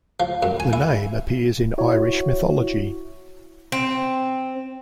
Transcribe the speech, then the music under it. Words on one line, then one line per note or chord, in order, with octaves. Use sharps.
The name appears in Irish mythology.
F3
F#2
G#5
E4
E4 F#4 C#5
C4